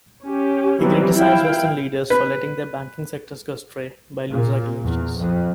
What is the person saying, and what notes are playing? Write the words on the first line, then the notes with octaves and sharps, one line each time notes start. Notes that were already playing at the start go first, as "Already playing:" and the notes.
He criticized Western leaders for letting their banking sectors go astray by loose regulations.
C#4 G4
E3 F#3 G3 B3 C4
E4 F5 G5
B4
A#2
E2
F2